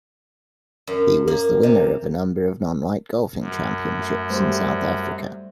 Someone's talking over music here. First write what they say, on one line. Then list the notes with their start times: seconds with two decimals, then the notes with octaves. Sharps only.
He was the winner of a number of non-white golfing championships in South Africa.
0.87 F#2
1.28 A#3
1.63 C3
3.40 F#2
3.87 A3
4.29 G3 A3 C5